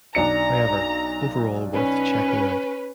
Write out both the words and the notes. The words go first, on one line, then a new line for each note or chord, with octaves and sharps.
However, overall worth checking out.
B1 D4 A#5 C#7
C#4 B4